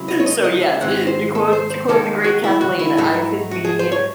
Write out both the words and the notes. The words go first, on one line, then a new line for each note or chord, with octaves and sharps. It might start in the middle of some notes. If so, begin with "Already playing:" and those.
So yes, to quote to quote the great Kathleen, I could be
Already playing: C#2 C3 F#3 C#4 E4
D#5
C#5
D#5
D#5
E5
G#2 D#3 G#3 C4 F#5
C5
A4
C5
C5
D#2 D#3 G#3 D#4 A4
F#4
E4
F#4
E4
G#2 F#3 A3 D#4
F#4
G#4
C5
C#5